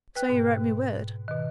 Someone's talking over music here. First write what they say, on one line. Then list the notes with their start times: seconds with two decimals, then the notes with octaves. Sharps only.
"So you wrote me word."
0.15 B4 G5 F#6
0.29 G#2 B2
1.28 B2 D#3